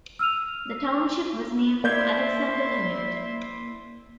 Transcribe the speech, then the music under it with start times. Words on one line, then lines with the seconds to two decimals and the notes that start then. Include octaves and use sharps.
The township was named for Alexander Hamilton.
0.19 E6 F6 D#7 F7
1.84 A#3 E4 D5 E5 C6 G6 G#6